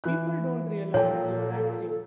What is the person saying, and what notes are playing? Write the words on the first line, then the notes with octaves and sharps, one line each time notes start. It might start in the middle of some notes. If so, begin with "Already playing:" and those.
People don't realize you're acting.
E3 F#6
A#2 F3 A4 C#5 G5